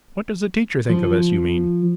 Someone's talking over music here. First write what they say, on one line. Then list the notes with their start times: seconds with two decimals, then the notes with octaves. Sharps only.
"What does the teacher think of us, you mean?"
0.90 F3